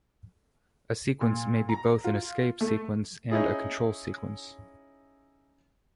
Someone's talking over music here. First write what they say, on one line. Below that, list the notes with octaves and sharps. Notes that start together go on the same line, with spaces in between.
A sequence may be both an escape sequence and a control sequence.
A#2
A#5
F4
A3
C#4 D#4 E4 G#4